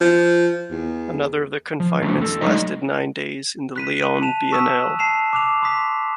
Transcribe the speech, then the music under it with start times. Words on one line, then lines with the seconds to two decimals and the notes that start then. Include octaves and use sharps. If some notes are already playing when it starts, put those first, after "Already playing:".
Another of the confinements lasted nine days in the Lyon Biennale.
0.01 F3
0.71 E2
1.80 F3
2.02 F3 G3 A3 B3 D4
2.17 E2 A4
2.41 F#3 G#3 A3 D4 D#4 D#5
3.76 F#6 B6 D#7
4.22 A5 E7 F7
4.52 C#6 D#6 E6 F#6 B6 E7
4.99 A5 C7 E7 F7
5.33 D6 D#6 F#6 C7 F7
5.62 C6 D#6 B6